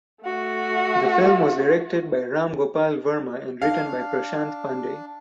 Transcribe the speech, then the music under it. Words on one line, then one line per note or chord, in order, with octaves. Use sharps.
The film was directed by Ram Gopal Varma and written by Prashant Pandey.
A3 F#4
D4 F5